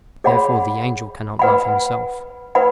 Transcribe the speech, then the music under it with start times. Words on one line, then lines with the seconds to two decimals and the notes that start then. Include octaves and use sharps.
Therefore the angel cannot love himself.
0.24 G#4 C#5 F#5 B5
1.39 B4 F#5 B5
2.55 B4 F#5 B5